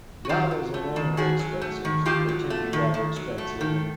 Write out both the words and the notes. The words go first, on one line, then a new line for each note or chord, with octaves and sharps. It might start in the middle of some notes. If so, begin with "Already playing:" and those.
goggles alone are expensive or tend to be rather expensive and,
F#4
D#3 F4 G4
F#3
A3
D#3
D#3 F#4 G#4
F#3
A3
D#3
D#3 F4 G4
F#3
A3
D#3
D#3
F#3
A3
D#3